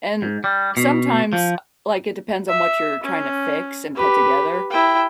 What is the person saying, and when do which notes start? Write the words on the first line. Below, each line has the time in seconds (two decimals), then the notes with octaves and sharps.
and sometimes, uh like it depends on what you're tryna fix and put together
0.22 G#2
0.44 G3
0.77 B2
1.33 F3
2.48 E5
3.03 C#4
3.96 G4 B4
4.71 E4 G5